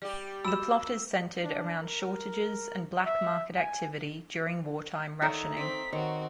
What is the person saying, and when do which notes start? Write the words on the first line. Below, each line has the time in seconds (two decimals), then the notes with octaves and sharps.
The plot is centred around shortages and black market activity during wartime rationing.
0.02 G3 G4 D5
0.45 F#4 B5 E6 E7
1.44 D4
1.82 A#4
3.06 E5
3.57 G#5
5.22 D#3 D#4 A4 C#5 D#5 E5 F#5 A#5
5.57 C4 D5 B6
5.93 D#3 C4 F#4 C#5